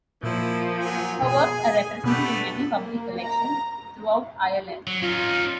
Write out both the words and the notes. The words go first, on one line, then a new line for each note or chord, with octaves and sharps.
Her works are represented in many public collections throughout Ireland.
A#2 F3 A#3 E4
F#3 G#5
B2 G#4 G#5
B2 A3 B3 D4 G4 B4
A#3
A#5
F#3
C#4 D#4 F4